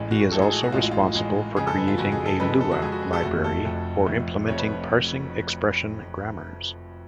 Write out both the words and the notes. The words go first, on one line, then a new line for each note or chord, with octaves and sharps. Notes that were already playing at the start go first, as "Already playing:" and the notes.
He is also responsible for creating a Lua library for implementing parsing expression grammars.
Already playing: A1 A2 G#3
F#4
F#4
A1 A2 G#3 A4
G#4
F#4
F#4
A1 A2 G#3 F4
F4
A1 A2 G#3
F2 C#3 G#3 G#4
A4
B4
F4
F2 C#3 G#3 F#4
G#4
A4
F2 C#3 G#3 B4
A4
F#4
F2 C#3 G#3 G#4
F#4
G#4
A4
F1 F2 F3 A3 F#4
A4
F1 F2 F3 A3
F1 F2 F3 A3
F1 F2 F3 A3 C#5
B4